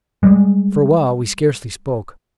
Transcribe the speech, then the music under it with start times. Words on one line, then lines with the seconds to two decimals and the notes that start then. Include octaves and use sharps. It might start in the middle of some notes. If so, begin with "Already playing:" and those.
For a while we scarcely spoke.
0.23 G3 G#3